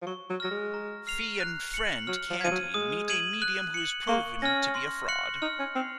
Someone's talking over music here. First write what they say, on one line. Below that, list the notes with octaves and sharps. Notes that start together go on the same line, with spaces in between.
Fi and friend Candy meet a medium who is proven to be a fraud.
F3
F#3 C#6
F#3
F#3 F6 A#6
G#3
A#5
F6 C7 F7
F#6
C#7 F#7
F#3 F6
F3
F3 G#6 D#7
F#3
G#3 D#6
G#6 D#7 F#7
F#6
C#7 F#7
A#3 C#6
C#4 F6 A#6
C6
F#6 C#7 F#7
D#4 F6
C#4
C4 C7 F7